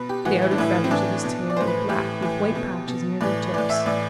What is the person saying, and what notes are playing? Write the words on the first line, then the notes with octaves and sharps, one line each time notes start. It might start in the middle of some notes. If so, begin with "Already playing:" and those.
The outer feathers of his tail were black with white patches near their tips.
Already playing: B2 B4
G4
A2 E3 F#4
E4
D4
A2 E3 E4
C4
A2 E3 D4
B2
D5
A2 E3 C5
B4
A2 E3 G4
A2 E3
B2
B2
A2 E3 D5
A2 E3 D5
E5
A2 E3 D5